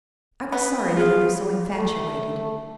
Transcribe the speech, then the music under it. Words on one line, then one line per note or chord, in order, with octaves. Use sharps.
I was sorry that he was so infatuated.
B3
F4 G#4
A3